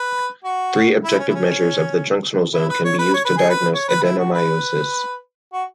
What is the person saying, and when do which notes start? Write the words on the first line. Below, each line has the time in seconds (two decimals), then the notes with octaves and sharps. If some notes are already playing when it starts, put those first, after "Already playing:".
Three objective measures of the junctional zone can be used to diagnose adenomyosis.
Already playing: B4
0.44 F#4
1.04 E4
1.19 C#4
1.28 E4
1.35 C#4
2.54 E4
2.69 B4
2.84 C#5
2.99 B4
3.14 C#5
3.25 B4
3.37 G#4
3.50 B4
3.74 C#5
3.89 B4
4.03 E4
4.19 F#4
4.34 B4
5.53 F#4